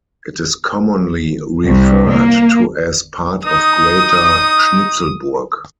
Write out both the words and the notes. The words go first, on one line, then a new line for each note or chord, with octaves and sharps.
It is commonly referred to as part of greater Schnitzelburg.
C2
A#3
D#4 D#6